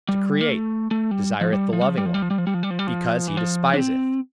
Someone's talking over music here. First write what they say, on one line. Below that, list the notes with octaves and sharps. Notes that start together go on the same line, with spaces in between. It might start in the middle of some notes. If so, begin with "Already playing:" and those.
To create, desireth the loving one, because he despiseth!
G3
A#3
A3
A3
G3
F3
G3
F3
G3
F3
G3
F3
G3
F3
G3
F3
G3
F3
G3
F3
G3
F3
E3
F3
D4
C4